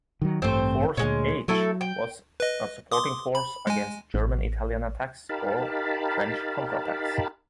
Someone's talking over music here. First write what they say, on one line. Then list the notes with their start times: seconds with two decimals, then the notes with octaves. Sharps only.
Force "H" was a supporting force against German-Italian attacks or French counterattacks.
0.22 D#3 F3 F#3
0.42 A1 G2 A3 C4 C5
0.97 D2 A#2 G#3 C#4
1.48 F#3 A3 E4 A4
1.81 G5
2.40 B4 D#5
2.92 C6 D6 D#6
3.35 B5
3.67 G#3 G#5
4.14 A1
5.29 D#4 G4 A#4 F5 A5 B5